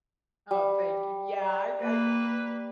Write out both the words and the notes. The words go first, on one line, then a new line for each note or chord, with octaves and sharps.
Oh, thank you. Yeah. I I
G3
A#3 B4